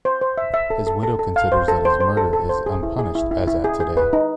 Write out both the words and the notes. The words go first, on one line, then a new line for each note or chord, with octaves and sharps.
His widow considers that his murder is unpunished as at today.
C5
C5
E5
E5
A4
A4
A4
A4
F5
C5
A4
C5
C5
A4
A4
C5
G#4
E4
G#4
E4
E4
E4
G#4
G#4
B4
D#4